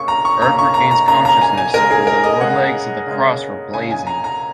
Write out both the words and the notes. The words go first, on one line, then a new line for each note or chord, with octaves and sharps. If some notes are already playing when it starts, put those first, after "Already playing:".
Erg regains consciousness when the lower legs of the cross were blazing.
Already playing: C#3 A#3 C#6
A#5
C#6
C#3 A#3 A#5
C#6
A#5
A#5
C#3 A#3 A#5
A#5
G#5
G#5
C#3 G#3 A#4
G#4
A#4
D#5
C#3 G#3 F#5
C#3 G#3
C#3 G#3 G#5
G#5
A#5
A#5